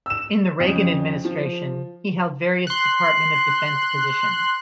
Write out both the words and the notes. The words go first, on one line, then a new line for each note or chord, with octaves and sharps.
In the Reagan administration, he held various Department of Defense positions.
E6 E7
F2 C#3
F3
C6 F#6